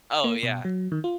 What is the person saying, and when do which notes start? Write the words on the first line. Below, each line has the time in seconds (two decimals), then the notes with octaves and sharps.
Oh, yeah.
0.24 A#3
0.43 B2
0.65 F#3
0.92 D#3
1.04 F4